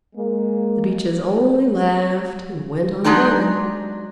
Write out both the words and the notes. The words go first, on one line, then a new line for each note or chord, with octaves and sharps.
The Beeches only laughed and went on growing.
G#3 A#3
F#3 G#3 D4 D#4 G4